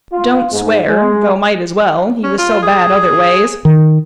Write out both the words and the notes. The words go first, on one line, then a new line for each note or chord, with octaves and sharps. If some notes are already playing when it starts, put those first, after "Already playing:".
"Don't swear, though might as well; he was so bad other ways."
F4
G#2
G#3
C#4
F4
G#4
D#3